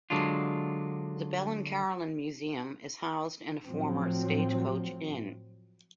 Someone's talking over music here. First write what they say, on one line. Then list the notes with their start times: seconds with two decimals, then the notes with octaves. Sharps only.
The Bell and Carillon Museum is housed in a former stagecoach inn.
0.10 D3 F#3 G#3 D4 F4
3.65 A2 F3 F#3 C4